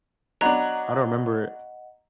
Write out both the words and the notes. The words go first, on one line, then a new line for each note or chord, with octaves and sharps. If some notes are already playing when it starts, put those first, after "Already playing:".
I don't 'member it.
F#3 B3 D4 D#5 F#5 A#5